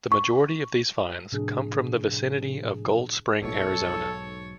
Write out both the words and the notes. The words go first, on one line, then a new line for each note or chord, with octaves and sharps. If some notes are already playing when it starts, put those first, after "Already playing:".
The majority of these finds come from the vicinity of Gold Spring, Arizona.
C#6
A2 C3 F3 D4 G#4
B1 G#2 B2 A4 C#5